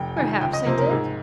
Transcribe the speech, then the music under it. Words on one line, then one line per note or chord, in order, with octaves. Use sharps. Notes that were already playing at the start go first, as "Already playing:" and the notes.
"Perhaps I did."
Already playing: F1 G5
F2 D#3 G#5
C#2 G5
D#5
C3 F3 A#3 C5
A#4
G#2 G#4